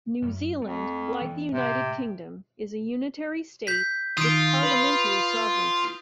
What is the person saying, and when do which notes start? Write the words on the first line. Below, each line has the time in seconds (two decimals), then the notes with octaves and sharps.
New Zealand, like the United Kingdom, is a unitary state with parliamentary sovereignty.
0.22 F#2
0.62 F2 A3
1.21 E3 B3
1.52 A2 C3
3.67 G6 B6
4.17 D#3 F4 D#6 D7
4.63 B4